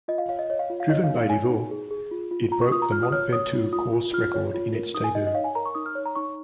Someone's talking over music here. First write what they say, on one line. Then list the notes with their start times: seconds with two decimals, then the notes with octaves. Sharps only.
Driven by Divo, it broke the Mont Ventoux course record in its debut.
0.08 F4 D#5
0.18 F5
0.29 C#5 F5
0.39 D#5
0.50 C#5 D#5
0.59 F5
0.70 F4
0.80 F5
0.90 C#5 D#5
1.04 F5
1.10 D#4
1.17 F5
1.30 C#5 G#5
1.50 D#4
1.71 G#4
1.91 G#4
2.11 F4
2.31 F4
2.51 F4 A#5
2.61 C#6
2.71 F4 D#6
2.82 A#5
2.92 F4 F6
3.03 D#6
3.12 C#5 F6
3.33 C#5 D#6
3.53 F4
3.73 F4 D#6
3.93 F4
4.13 F4 F6
4.34 C#5
4.54 F4
4.74 A#4
4.94 D#4 D#6
5.04 G#5
5.15 D#4 D#5
5.27 D#5
5.35 C#5 F5
5.44 G#5
5.55 A#4 A#5
5.66 C#6
5.75 D#4 D#6
5.86 F6
5.95 C#5
6.06 A#5
6.15 D#4 C#6